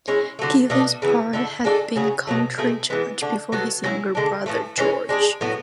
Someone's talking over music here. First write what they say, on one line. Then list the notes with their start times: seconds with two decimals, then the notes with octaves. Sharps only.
Givens Parr had been county judge before his younger brother George.
0.08 G#3 C#4 E4
0.39 D3 F#3 A3
0.70 B2 A3 D4
1.02 C#3 E3 B3
1.33 D3 A3 E4
1.64 G#3 D4 F#4 A4
1.96 C#3 F#3 C#4 G#4
2.27 B2 F#3 A3
2.58 B2 A3 E4 G#4
2.90 E3 G#3 B3
3.22 D3 A3 D4
3.52 F#3 B3 F#4 A4
3.84 F#3 C#4 E4
4.15 D3 G#3 D4
4.46 A2 E3 A3
4.78 E3 G#3 C#4
5.09 G#3 D4 G#4
5.41 A2 F#3 B3